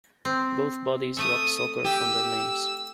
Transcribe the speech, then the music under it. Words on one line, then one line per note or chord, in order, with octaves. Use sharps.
Both bodies dropped "soccer" from their names.
C4
A3 E5 D#6
G4 E6